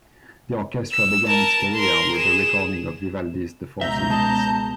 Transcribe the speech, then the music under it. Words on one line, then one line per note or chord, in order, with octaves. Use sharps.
The orchestra began its career with a recording of Vivaldi's "The Four Seasons".
E6
A#4 A5
A#4 C6
G#4 E7
C#2 B2 E5 A#5 G6
G#3 A5